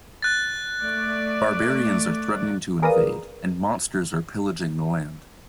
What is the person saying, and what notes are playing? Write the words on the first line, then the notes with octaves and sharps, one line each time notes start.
Barbarians are threatening to invade, and monsters are pillaging the land.
F#6 A6
A3 D5
G#4 A#4 B4 D5 F5 D#6